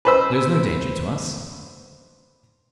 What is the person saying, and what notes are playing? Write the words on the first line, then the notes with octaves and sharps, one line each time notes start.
There is no danger to us.
B4 C5 E6